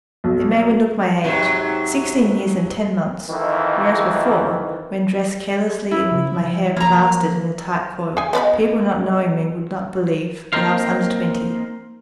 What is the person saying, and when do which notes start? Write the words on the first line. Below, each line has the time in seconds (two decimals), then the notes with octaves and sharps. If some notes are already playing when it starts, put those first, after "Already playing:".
It made me look my age--sixteen years and ten months--whereas before, when dressed carelessly and with my hair plastered in a tight coil, people not knowing me would not believe that I was under twenty.
0.24 B1
1.24 G#2 C3 F#3
3.29 F2 D#3 E3
5.91 E4
6.12 C#3
6.42 F3
6.77 F3 A#3 A#5
8.17 G#4 G#5
8.33 B2 G3 G#3 B3 D5 B5
10.53 A#3 C4 D#4 A#4 C5 F5